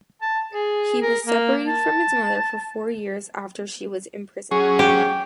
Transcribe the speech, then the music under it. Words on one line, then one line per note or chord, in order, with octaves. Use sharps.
He was separated from his mother for four years after she was imprisoned.
A5
G#4
A#4
A#3
A5
F#3 C#4 G#4
G4